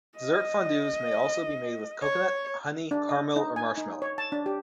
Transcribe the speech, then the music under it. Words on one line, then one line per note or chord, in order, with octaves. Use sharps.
Dessert fondues may also be made with coconut, honey, caramel, or marshmallow.
D#5
C#5
D4
D#5
D#4
G#5
D#4
C#5
A5
D4
G4